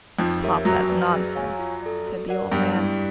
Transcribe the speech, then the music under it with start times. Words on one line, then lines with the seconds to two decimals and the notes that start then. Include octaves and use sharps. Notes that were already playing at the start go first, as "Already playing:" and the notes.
'Stop that nonsense!' said the old man.
0.19 F2 F3 D#4
0.43 G4 A#4 C#5 E5
0.65 F#2 F#3 F#4
0.90 B4 D5
1.12 G#4
1.36 C#5 F5 G#5
1.59 F4
1.82 A4 D5
2.05 F#4
2.29 A#4 D5 F#5
2.52 G2 G3 B3
2.75 E4 G4